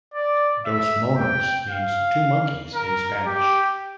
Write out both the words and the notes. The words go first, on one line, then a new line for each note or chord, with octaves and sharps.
Dos Monos means "two monkeys" in Spanish.
D5
E5
G5
F5
A#4
G4